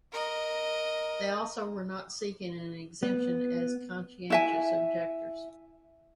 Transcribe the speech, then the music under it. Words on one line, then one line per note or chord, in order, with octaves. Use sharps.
They also were not seeking an exemption as conscientious objectors.
A#4 D#5
B3
E4 E5 G#5